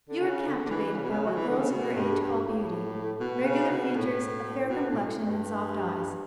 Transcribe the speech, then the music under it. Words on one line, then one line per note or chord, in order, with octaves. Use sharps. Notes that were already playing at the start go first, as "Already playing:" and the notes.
You are captivated by what girls of your age call beauty, regular features, a fair complexion and soft eyes.
D3
C#3
D3
D3
E3
C#3
B2
C#3
F#3
E3
D3
C#3
B2
G2
G2
A2
B2
C#3
B2
A2
B2
A2
G2